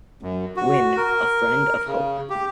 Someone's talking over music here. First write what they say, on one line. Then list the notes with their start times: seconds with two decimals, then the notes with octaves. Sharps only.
Wynne, a friend of Hoke.
0.23 F#2
0.56 F#4
0.97 A#4
1.87 C#3
2.30 G4